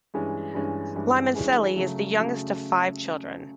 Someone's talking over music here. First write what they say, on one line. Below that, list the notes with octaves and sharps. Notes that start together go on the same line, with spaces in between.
Limoncelli is the youngest of five children.
G2 E3 G#3 C#4
G2 E3 G#3 C#4
G2 E3 G#3 C#4
G2 E3 G#3 C#4
C#3 F#3 A3
C#3 F#3 A3